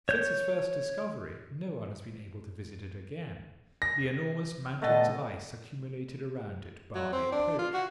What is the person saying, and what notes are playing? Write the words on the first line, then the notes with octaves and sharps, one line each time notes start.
Since its first discovery no one has been able to visit it again; the enormous mountains of ice accumulated around it bar the approach.
C#5 G6
A#6
A#2 A3 B3 D#5 A5
F#3
C4
D4
F4
F#4